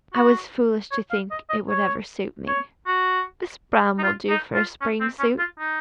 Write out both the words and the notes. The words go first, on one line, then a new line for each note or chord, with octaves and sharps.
I was foolish to think it would ever suit me. This brown will do for a spring suit.
F#4
C#5
F5
D#5
D#5
C#5
C#5
F#4
D#4
F4
D#4
F4
C#4
C4
C#4
F4
D#4